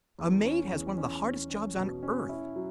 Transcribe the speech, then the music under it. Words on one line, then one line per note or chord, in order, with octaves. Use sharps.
A maid has one of the hardest jobs on earth.
E2
C#4
E2
C#4
C#4
C#4
B2
C#4
E4
F#3